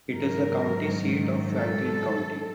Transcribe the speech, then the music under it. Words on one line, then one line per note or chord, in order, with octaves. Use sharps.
It is the county seat of Franklin County.
G#2 D#3 F#3 A#4
A4